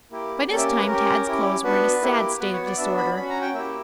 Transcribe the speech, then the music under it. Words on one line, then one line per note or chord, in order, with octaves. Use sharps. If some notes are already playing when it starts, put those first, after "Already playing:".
By this time, Tad's clothes were in a sad state of disorder.
A#3 E4 G4
A#3 C#4 G4 D5
E5
B4
C#4 G4 A#4
C#4 E4 G4
B3 D4 F#4 B4
A#3 E4 G4
B3 F#4 B4
C#5
D5
B3 D4 F#4 E5
B5
C#4 F#4 B5
A#5
G5
A#3 E4 G4 E5